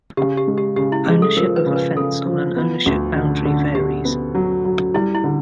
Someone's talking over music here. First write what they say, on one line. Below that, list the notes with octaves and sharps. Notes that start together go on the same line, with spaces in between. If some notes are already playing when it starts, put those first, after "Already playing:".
Ownership of a fence on an ownership boundary varies.
C#3 G4
G4
G#3
G4
C#3 G4
E4
G#3 G#4
A4
F3 A#4
B4
C#3
B4
C#3 A4
F3
B3
D2
D3
D3
D3 G4
B3
F#3
F#3
G3 E4
E4
D3